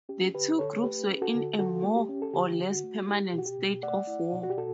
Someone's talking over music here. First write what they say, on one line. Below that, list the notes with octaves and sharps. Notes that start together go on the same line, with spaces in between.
The two groups were in a more or less permanent state of war.
C#4 G4
D3 G4 B4
D3 A4 C#5
A3 G4 B4
C#4
F#4 A4
D3
D3 F#4 A4
A3
A4
G4
C#4
A4
D3 G4
D3
F#4
A3
E4 G4
B2
F#4
G4
B2
A3 D5 F#5
E4
B2
F#4
G4
B2 F#4 A4